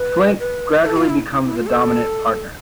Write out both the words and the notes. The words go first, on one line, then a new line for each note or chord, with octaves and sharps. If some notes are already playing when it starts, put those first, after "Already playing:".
Flint gradually becomes the dominant partner.
Already playing: B4
B4
B4
A4
F4
E4
E4
E4
F4
A4